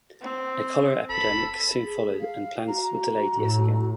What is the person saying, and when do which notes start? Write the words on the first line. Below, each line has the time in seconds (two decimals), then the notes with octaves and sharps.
A cholera epidemic soon followed and plans were delayed yet again.
0.22 C4
1.10 F1 A4 B5
1.82 G#4
2.20 F5
2.68 F#4 A#5
3.34 A2